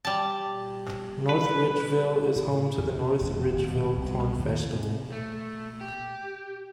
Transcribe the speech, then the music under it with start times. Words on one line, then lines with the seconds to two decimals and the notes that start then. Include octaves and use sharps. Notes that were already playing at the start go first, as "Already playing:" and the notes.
North Ridgeville is home to the North Ridgeville Corn Festival.
0.05 G3 A5
1.29 B4
2.36 A2
2.78 E2
2.95 C3
3.21 F1
3.53 D#1
3.97 C2
4.39 D#2
4.63 C3
5.12 A3
5.81 G4